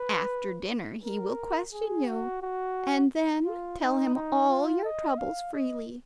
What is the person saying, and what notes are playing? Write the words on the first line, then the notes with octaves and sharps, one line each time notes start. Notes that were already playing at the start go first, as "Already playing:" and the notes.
After dinner he will question you, and then tell him all your troubles freely.
Already playing: B4
A#4
G#4
F#4
F#4
F4
D#4
D#4
F4
D#5
F5
D#5